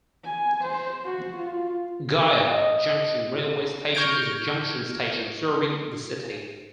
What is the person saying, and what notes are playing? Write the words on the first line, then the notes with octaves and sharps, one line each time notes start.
Gaya Junction railway station is a junction station serving the city.
G#5
C5
F#4
F4
D#5
C#6 F6 G6 G#6 A#6 D7